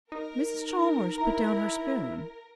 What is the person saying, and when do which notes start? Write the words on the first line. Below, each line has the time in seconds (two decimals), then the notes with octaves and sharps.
Mrs. Chalmers put down her spoon.
0.12 D#4 A#4
1.18 E4 A#5